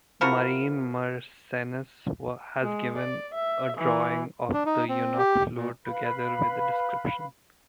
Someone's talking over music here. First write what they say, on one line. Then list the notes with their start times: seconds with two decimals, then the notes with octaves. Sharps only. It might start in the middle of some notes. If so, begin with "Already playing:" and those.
Marin Mersennus has given a drawing of the eunuch flute together with a description.
0.21 F3 E4 F#4 A#4
2.61 G#3
2.97 D5
3.35 E5
3.77 E3
4.53 D4
4.66 D#4
4.89 C4
5.18 G4
5.56 A#2
5.86 B4 F5 B5